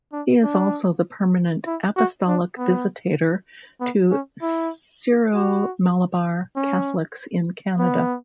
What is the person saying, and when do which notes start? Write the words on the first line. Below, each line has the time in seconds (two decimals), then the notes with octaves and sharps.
He is also the permanent Apostolic Visitator to Syro-Malabar Catholics in Canada.
0.13 D4
0.43 D4
1.67 E4
1.97 F#4
2.27 D4
2.58 B3
3.81 B3
4.11 C#4
4.42 E4
5.34 F#4
6.56 C#4
7.79 B3